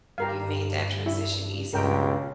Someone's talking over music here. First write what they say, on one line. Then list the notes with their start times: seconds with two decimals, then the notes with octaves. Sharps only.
you made that transition easy for her,
0.18 G2 G4 A#4 F5
1.06 E4
1.73 C#2 G2 A#4 G5